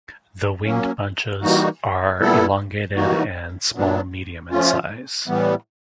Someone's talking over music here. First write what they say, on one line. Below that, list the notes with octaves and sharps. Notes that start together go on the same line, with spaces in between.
The winged bunches are elongated and small-medium in size.
F#3 A#3 C#4
E3 G3 A#3 D#4 F#4
A#2 G3 B3 E4 A4
E3 G3 A#3 D#4 F#4
A#2 F#3 B3 D4
F3 A3 C#4 F4
A2 E3 G3 B3